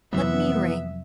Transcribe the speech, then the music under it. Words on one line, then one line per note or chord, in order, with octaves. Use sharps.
Let me ring.'
F2 C3 E3 F#3 B3 E5